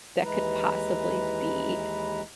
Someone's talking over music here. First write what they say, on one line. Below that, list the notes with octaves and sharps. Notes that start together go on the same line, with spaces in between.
that could possibly be"
D#2 E3 G#3 E4 B4 A#5